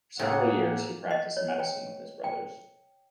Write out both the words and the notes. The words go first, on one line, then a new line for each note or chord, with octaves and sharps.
For several years he practiced medicine with his brothers.
D#2 A2 A#3 G#4 A4 F#5
D#5
C#5
G5
G5